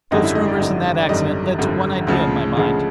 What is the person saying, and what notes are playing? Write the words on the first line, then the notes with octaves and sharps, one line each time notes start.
Those rumours and that accident led to one idea in my mind.
G#1 F#2 D3 G3 D#5
E4 E5
D#5
D5
G#1 F#2 D3 G3 D#5
D5
G#1 F#2 D3 G3 D#5
G#1 F#2 D3 G3
D2 C#3 F3 G#3
D2 C#3 F3 G#3